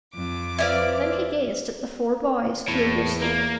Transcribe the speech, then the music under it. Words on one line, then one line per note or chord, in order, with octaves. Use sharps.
Then he gazed at the four boys curiously.
F2 D6
E4 B4 C5 D5 F5
E2 A2
A#3